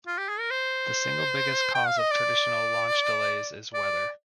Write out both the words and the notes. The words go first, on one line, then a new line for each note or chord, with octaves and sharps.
The single biggest cause of traditional launch delays is weather.
F4
G4
G#4
A#4
C5
G5
F5
D#5
D5
D5